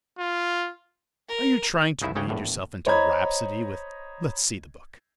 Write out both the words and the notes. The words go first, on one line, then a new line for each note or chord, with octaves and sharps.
"Are you trying to read yourself into a rhapsody with--let's see the book."
F4
A#4
C2 C#3 D#4 E4 E5
D2 C#3 G4 C#5 F#5 G5
A#1 E2 A2
C5 C#5 D#5 A#5 B5 G#6